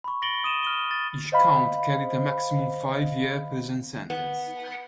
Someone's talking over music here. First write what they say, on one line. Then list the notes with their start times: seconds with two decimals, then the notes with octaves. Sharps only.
Each count carried a maximum five-year prison sentence.
0.04 B5 C#6
0.22 A6 A#6 C#7 D7 F#7 G7
0.44 D#6 D#7 E7
0.63 F6 G7
0.91 A6
1.32 C5 D#5 F5 B5
4.10 B3